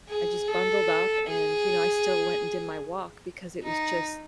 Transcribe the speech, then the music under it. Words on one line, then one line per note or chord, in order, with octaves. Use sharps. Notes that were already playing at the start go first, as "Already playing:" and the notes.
I just bundled up and, you know, I still went and did my walk because it was just,
G#4
A4
G#4
D#4